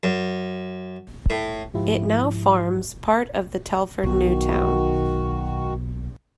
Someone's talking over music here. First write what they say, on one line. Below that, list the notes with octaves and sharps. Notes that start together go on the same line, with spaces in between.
It now forms part of the Telford new town.
F#2
A2
G#2 F3 E4 F4 G4
B1 B2 D#3 F#4